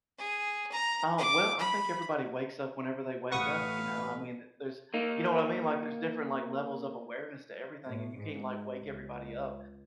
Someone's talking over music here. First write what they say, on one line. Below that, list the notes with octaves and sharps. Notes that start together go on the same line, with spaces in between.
Uh, well, I think everybody wakes up whenever they wake up, you know? I mean, there's you know what I mean, like, there's different, like, levels of awareness to everything, and you can't, like, wake everybody up.
G#4
A#5
D6
B5
A1 B4 F5 F#5 C#6 D#6
A#3 D#4
A2
G#2
C#2